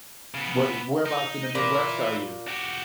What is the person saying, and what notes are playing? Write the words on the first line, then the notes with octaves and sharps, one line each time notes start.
but whereabouts in the Midwest are you?
C#3 B3
D#4
A#2 E4 B4
F#4 G4